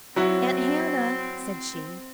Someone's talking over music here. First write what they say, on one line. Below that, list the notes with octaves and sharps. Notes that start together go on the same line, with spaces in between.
"Aunt Hannah?" said she.
F#3 C4 E4 F#4